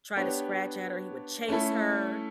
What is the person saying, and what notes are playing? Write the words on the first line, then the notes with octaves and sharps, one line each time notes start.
try to scratch at her, he would chase her
B3 D4 G4 C#5
A3 C#4 E4 A4